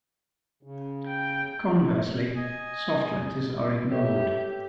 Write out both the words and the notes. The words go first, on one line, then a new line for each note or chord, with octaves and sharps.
Conversely, soft letters are ignored.
C#3
G5
D#5 G#5
G4 A4 B4 C#5 E5